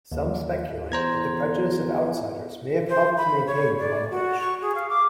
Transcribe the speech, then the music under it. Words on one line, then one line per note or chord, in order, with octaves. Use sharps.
Some speculate that the prejudice of outsiders may have helped to maintain the language.
D#2
E2 C5 A#5 G#6
C5
B5
C#5
D5
F#4
C#6
G#4
F5
D6